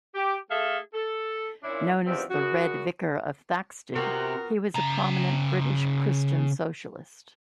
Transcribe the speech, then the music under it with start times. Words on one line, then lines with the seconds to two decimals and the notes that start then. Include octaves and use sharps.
Known as the 'Red Vicar' of Thaxted, he was a prominent British Christian socialist.
0.15 G4
0.50 A3 G#4 A4 E5 F5
0.94 A4
1.63 A#2 C#4 D4 E4
2.06 E2 G2 D#3 F3 C4
2.29 F#2 C#3 F#4
3.96 C3 B3 F4 F#4 A#4
4.76 C#3 A#5